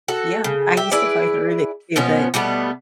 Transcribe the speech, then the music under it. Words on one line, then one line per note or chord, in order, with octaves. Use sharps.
Yeah, I used to play with Rubik too, but
F#4 A4
C#3
G4 E5
E4 G#4 B4 D5
B2 F3 B3 C#4
B2 G3 A3 B3